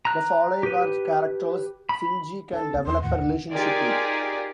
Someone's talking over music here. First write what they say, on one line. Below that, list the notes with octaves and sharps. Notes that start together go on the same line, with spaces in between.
The following are characters Shinji can develop a relationship with.
A#5 F#6
G4 B4
B5
D4 A4
C#2 G3 B3
E2 C6
D#2 A2 D3 F#5
G1 D2 C3
D#4 F4 G4 G#4 A#4 D5